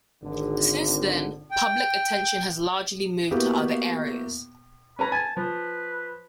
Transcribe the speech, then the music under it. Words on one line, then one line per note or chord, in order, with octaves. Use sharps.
Since then, public attention has largely moved to other areas.
G#1 D3
G5
A#3 B3 E4 F#4 G4 F5
C#4 B4 A#5 B5
G#5 A5
F3 B4